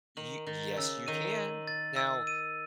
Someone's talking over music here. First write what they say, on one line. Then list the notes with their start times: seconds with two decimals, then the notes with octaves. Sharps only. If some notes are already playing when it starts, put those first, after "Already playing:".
You yes, you can. Now
0.17 D#3 F#7
0.47 D#3 A6
0.77 C#3 E6
1.07 D#3 D#7
1.38 F#7
1.68 A6
1.96 E6
2.27 D#7